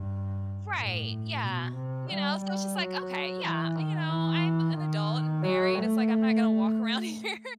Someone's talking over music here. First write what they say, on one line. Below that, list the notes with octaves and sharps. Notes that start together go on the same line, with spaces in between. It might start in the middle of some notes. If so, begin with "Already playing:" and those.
Right, yeah. You know, so it's just like, "Okay, yeah, you know, I'm an adult and married," it's like, "I'm not gonna walk around here
Already playing: G2
A2
B2
C3
G3
G3
F#3
E3
D#3
E3
D#3
F#3
A3